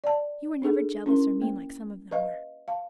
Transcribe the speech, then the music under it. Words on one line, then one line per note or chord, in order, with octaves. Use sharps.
You were never jealous, or mean, like some of them were.
D5 A5
D4 D#4 G#4 A4
C#4 E4 A#4 C6
A#3
B4 D#5 F5
F5 A5